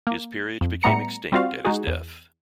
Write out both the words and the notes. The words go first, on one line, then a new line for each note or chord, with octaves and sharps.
His peerage became extinct at his death.
A#3
F2
A2 G3 A3 B3 A#5 C#7
G3 C4 F4 F#4 F5
G#3 D#4 F#4 G#4
E2